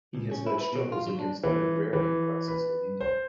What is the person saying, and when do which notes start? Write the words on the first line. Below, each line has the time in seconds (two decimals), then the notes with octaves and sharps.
He has led struggles against the agrarian crisis in India.
0.15 C#2
0.31 C#4
0.47 E4
0.59 B4
0.72 B2
0.92 F4
1.07 F#3
1.19 D4
1.43 E3
1.93 E3
2.48 B4
3.01 C5